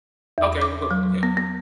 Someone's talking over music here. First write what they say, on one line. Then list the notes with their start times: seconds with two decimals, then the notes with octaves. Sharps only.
okay, we'll go, okay,
0.38 E2
0.62 D6
0.91 F#3
1.23 B3
1.37 B3